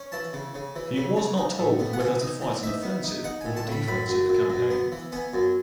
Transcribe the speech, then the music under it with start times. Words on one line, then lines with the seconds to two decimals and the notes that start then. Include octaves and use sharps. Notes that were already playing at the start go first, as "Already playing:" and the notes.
He was not told whether to fight an offensive or defensive campaign.
Already playing: C#4
0.12 E3 A5
0.33 C#3
0.54 C#3
0.76 E3
0.96 C#3
1.16 C#3
1.37 D#4
1.59 A2
1.79 B3
1.93 F#5
1.99 E3 G#5
2.21 D#4
2.42 E3
2.63 D#4 E5
2.83 B3
3.04 D#4
3.24 D#4 F#5
3.41 A2 G#5
3.57 A5
3.67 A2 B5
3.88 F#2 B5
4.08 F#2
4.29 F#2
4.50 F#2
4.70 B3
4.92 E3
5.12 B3 G#5
5.34 F#2